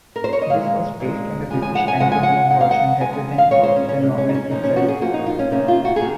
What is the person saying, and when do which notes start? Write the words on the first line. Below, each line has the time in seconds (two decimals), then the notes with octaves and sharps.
This was based on the British pantomime version rather than the novel itself.
0.16 A#4
0.24 C5
0.33 C#5
0.42 D#5
0.50 A#2 G#3 F5
1.00 A#2 G#3
1.50 C#3 F3 G#3 G#5
1.62 G#5
1.75 F#5
1.88 G#5
2.00 C#3 F3 G#3 F#5
2.12 G#5
2.23 F#5
2.51 D#3 G#3 F#5
2.61 F5
2.71 F#5
3.01 D#3 G#5
3.05 G#3
3.13 G#5
3.38 F5
3.51 A#2 G#3 C#5
3.63 C5
3.76 C#4
3.89 C#4
4.00 A#2 G#3 C#4
4.18 C#4
4.29 D#4
4.34 C#4
4.51 A#2 F3 A#3 D#4
4.63 C#4
4.76 F#4
4.88 G#4
5.01 A#2 F3 A#3 F#4
5.14 D#4
5.26 F4
5.39 C#4
5.51 C3 D#3 A#3 C#4
5.68 F4
5.85 F#4
5.96 G#4
6.01 C3 D#3 A#3